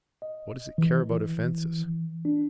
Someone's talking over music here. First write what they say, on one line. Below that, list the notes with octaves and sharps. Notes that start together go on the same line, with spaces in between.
What does it care about offences?
D#5
E3
D4